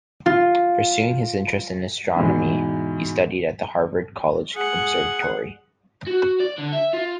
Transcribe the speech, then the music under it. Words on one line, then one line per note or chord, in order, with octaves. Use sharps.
Pursuing his interest in astronomy, he studied at the Harvard College Observatory.
F4
E2 G#2 B2 E3
G#4 F#5
F#4
D5
D3
E5
F4